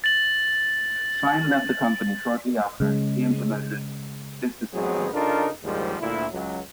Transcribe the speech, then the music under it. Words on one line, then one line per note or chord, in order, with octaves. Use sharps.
Fine left the company shortly after he implemented this decision.
A6 F#7
C#3 G#3
A1 F#3 G#3 B3 C4 G#4
C#3 D4 D#4 F4 A4 A#4
A#1 D#2 G#2 F3 G3 G#3
D2 A#2 E4
C#2 F#3